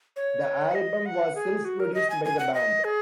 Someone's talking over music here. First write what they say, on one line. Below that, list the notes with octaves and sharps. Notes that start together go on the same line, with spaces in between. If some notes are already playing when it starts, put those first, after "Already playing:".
The album was self-produced by the band.
C#5
F#5
D#5
F#5
G#4
F#4
A#4
D#5
G#5
G#5
F#5
D#5
G#4